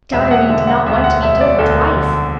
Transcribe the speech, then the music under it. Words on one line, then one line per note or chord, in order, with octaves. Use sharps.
Dotterine did not want to be told twice!
E1 E5
F#5
D3 E5
F#5
D2 E5
F#5
E1 E5
D5
D2 A4
D3